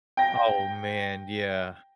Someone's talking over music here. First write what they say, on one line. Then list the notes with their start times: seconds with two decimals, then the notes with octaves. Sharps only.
Oh, man, yeah.
0.17 G5 A#6